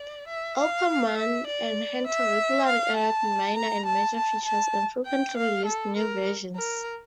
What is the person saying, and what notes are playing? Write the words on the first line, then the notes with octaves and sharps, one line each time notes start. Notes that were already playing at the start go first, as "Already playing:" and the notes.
Oppermann and Henter regularly added minor and major features and frequently released new versions.
Already playing: D5
E5
F5
E5
D5
E5
F5
A5
A#5
A5
A5
A5
G5
F5
A4
A#4
A#4